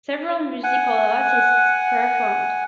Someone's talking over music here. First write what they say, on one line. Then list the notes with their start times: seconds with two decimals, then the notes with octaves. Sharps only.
Several musical artists performed.
0.64 F#5 G#5